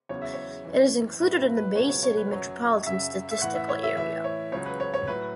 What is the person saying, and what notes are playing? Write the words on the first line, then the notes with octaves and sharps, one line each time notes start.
It is included in the Bay City Metropolitan Statistical Area.
E2 C#3 F#3 C#5
E5
C#5
F#2 E3
A2 F#3 B4
B4
B4
C#2 B2 F#3 C#5
C#5
C#5
B4
F#2 F#3 C#5
F#2 C#3 F#3 E5
E5
A2 E3 F#5
E5
C#5
E5
A2 E3 E5
C#5
C#2 C#3 F#3 C#5
B4
C#5
C#5
A2 F#3 B4